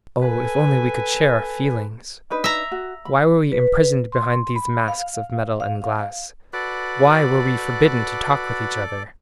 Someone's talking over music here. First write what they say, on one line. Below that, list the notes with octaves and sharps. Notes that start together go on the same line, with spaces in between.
Oh, if only we could share our feelings! Why were we imprisoned behind these masks of metal and glass! Why were we forbidden to talk with each other!
A4 B4 G#5
D4 D#4 B4
E5 A#5
F#4
B5
B4
C6
B5
F5
F5
F#4 A4 B4 D5 D6